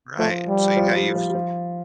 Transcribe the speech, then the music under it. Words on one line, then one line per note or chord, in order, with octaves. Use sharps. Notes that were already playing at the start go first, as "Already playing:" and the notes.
Right. So yeah, you've
F3 A3
G3
F3
G3
F3
G3
F3